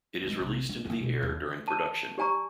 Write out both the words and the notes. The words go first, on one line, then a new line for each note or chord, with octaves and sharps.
It is released into the air during production.
G#3 D#4
A#1 C3
D4
D2 A#3
B1 B2
D#2
A5
G4 D5 G#5 A#5 C#6